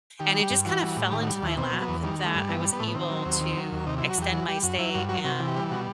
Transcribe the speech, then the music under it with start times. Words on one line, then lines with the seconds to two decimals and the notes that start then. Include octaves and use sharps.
And it just kind of fell into my lap that I was able to extend my stay and
0.20 D#3 G4
0.35 G3
0.43 G4
0.50 G2
0.65 E3 F#4
0.82 G3
0.96 A2
1.11 D#3 G4
1.22 F#4
1.27 G3
1.42 D#2 E4
1.57 B2 C4
1.73 F#3
1.81 B3
1.88 E2
2.03 D#3 G3
2.19 G3
2.26 A3
2.35 G2
2.49 E3 B3
2.65 G3
2.73 B3
2.79 A2 A3
2.88 B3
2.95 D#3 C4
3.10 F#3
3.26 D#2
3.41 D#3
3.57 F#3
3.72 D#2
3.87 C3 D#4
3.98 E4
4.03 F#3
4.11 F#4
4.18 E2 G4
4.33 E3 F#4
4.48 G3 G4
4.63 F#2 F#4
4.79 F#3 E4
4.95 G2 F#4
5.09 F#3 F#4
5.24 C3 F#4
5.40 E3
5.47 G4
5.56 G3
5.71 B2 F#4